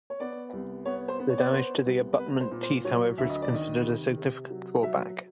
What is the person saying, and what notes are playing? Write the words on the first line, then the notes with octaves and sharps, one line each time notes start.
The damage to the abutment teeth, however, is considered a significant drawback.
C#5
B3 D5
C2
B3 C#5
C5
B3
C#5
D5
C#5
B3 C5
C2
B3 B4
C5
A#2
C5
F#3 C#5
D2 E5
D#5
D5
D#3 D#5
C3
C3
F#3
F#3 E5